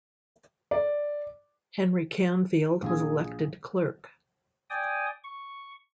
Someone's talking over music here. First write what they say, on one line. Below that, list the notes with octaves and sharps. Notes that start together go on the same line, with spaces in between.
Henry Canfield was elected clerk.
D5
A#1 G#4
D5 G5 G#5 D#6
C#6